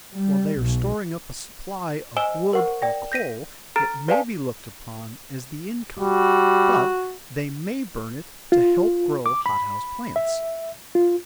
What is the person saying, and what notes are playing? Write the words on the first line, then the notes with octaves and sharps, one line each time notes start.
While they are storing up a supply of wood or coal it may be looked upon as the income, but they may burn it to help grow hothouse plants.
G3
B1
C5 D#5 G#5 E6 E7 G7
A#4 C5 F#5 C#6
D5 G5 A#6
G6 A#6 B6 D#7
A4 A#5 F6 A6 D7
B4 C5 D5 F5 G#5 A5
G3 F#4
F4
D6
B5
E5
F4